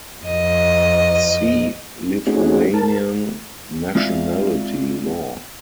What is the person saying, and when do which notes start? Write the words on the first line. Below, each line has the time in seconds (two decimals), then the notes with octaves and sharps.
See Lithuanian nationality law.
0.24 F2 D#5
2.27 A3 C4 C#4 D#4 F#4 G#4
2.74 A#4 A5
3.95 G#3 C4 F4 D5 E5 F5